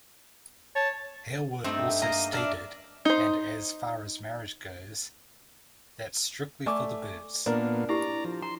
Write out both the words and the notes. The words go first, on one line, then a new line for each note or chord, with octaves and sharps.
Hailwood also stated And as far as marriage goes-that's strictly for the birds!
C#5 A5
G2 A3 C4 D#4
A#3 D#5 A#5
D4 A#4 D5 E5 A5
D#4 C5
A3 D5 G#5 D6
A#2 A#3 B3 D4 A#4
E4 G4 D5 A#5
F3
A#5 C6